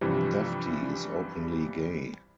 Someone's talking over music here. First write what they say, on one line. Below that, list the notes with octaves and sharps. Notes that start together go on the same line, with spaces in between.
Dufty is openly gay.
G2 C3 E3 F3 G3